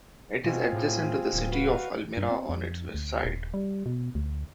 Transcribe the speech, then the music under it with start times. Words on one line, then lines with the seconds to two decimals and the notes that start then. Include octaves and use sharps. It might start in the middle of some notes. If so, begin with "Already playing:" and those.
It is adjacent to the city of Elmira on its west side.
0.45 B2 C4 F4 G#4
0.73 A2
1.33 D1
1.51 F#4 B4 F5
2.17 G2
2.31 C4
2.49 F2
2.94 D2
3.24 D#1
3.54 G3
3.86 B2
4.15 D2